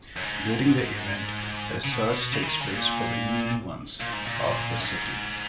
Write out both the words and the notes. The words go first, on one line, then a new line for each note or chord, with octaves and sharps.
During the event, a search takes place for the needy ones of the city.
F#2
G#2
C#3
B2
C#3
E3
D#3
C#3
G#2
A#2
A#2
G#2
A#2
F#2
G#2